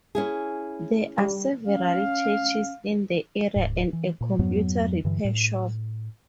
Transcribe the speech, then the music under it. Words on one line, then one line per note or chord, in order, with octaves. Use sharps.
There are several churches in the area and a computer repair shop.
C#4 E4 G#4
G3
C#4 F5
D1 G#2
E3
A#2
F2 G#2 F#3 B3
G2 D3 E3
A2